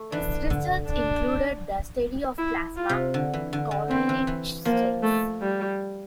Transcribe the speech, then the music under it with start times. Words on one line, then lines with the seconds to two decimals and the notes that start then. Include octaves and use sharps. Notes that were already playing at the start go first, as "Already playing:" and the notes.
His research included the study of plasma cholinesterase.
Already playing: A3
0.12 E3 D4
0.50 D3
0.88 D4
2.38 E4
2.77 F4
2.89 C3
3.14 D3
3.34 E3
3.53 D3
3.71 D3
3.89 E3 C4
4.09 E3
4.27 E3
4.65 F3 A#3
5.03 A3
5.42 G3